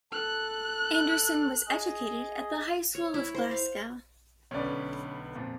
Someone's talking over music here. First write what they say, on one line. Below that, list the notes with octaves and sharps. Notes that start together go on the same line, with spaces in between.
Anderson was educated at the High School of Glasgow.
A4 F#6
G#4 D#5
C#5
E4
C5
F5
B1 D3 C#4 B4 D5
F2 A#2